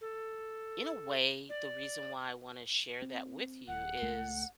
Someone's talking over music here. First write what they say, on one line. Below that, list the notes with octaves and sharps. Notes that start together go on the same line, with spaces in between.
in a way the reason why I wanna share that with you is
A4
D5
C4
D#1 F#5
C#2 A3